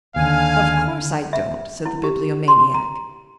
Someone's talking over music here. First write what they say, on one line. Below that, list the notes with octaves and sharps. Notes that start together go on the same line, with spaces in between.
"Of course I don't," said the Bibliomaniac.
D#2 D3 F5 G#5 F6
E5
E4
G4
C6
A#5